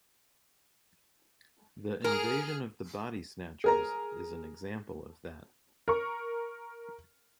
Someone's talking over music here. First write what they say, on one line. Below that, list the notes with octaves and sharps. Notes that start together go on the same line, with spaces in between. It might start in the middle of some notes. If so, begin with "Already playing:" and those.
"The Invasion of the Body Snatchers" is an example of that.
G#4 A#4 F6
G#4 A#4 A#5
A#4 C#6